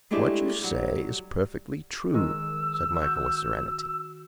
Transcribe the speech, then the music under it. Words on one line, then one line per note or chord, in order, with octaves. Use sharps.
"What you say is perfectly true," said Michael, with serenity.
G#3 A3 D4 E4 G4 G#4
F#3 G3
D#3 G#3 E6
F#4 G6